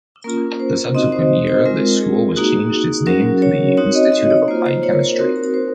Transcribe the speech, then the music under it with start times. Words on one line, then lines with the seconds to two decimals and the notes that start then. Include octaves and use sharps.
The subsequent year, the school was changed its name to the Institute of Applied Chemistry.
0.24 A#3 C#4 F4 A#4
0.60 C5
0.94 C4 D#4 F#4 D#5
1.12 C5
1.47 C5
1.65 G#3 C4 F4 A#4
2.01 G#4
2.36 A#3 D#4 F#4
3.06 F#3 C#4 F#4 A#4
3.42 C#5
3.77 C4 D#4 F#4 C#5
3.95 D#5
4.12 D#5
4.30 C#5
4.48 A#3 F4 C5
4.66 C5
4.83 C#5
4.92 A#4
5.01 C5
5.19 C4 D#4 F#4 A#4
5.54 C5